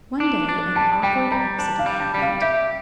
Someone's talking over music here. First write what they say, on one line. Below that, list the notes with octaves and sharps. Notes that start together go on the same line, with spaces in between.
One day an awkward accident happened.
D4
D4
G3 A5
G3 G5
G3 A#5
D4 A5
F5
G3
A5
G3
F5
G4 E5